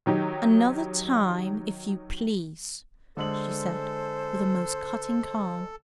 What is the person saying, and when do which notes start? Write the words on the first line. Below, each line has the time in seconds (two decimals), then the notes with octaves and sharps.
"Another time, if you please," she said, with a most cutting calm.
0.06 D#3 F#3 D#4 G4
3.17 D3 G#3 A4 C5 F#7